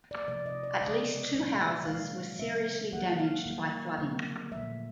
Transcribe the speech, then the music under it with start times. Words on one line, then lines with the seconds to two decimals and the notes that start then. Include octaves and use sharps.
At least two houses were seriously damaged by flooding.
0.11 D5
0.28 C3 F3 A3 D5
0.46 D#5
0.63 D5
0.81 C#3 F3 G#3 D#5
1.34 A#2 F#3 A#3
1.87 D#3 G#3 F5
2.39 C#3 F#3 A3 E5
2.93 D#3 F#3 A#3 F#5
3.19 F5
3.46 D#3 G3 A#3
3.98 D3 F#3 A#3
4.51 A#2 F3 A3 E5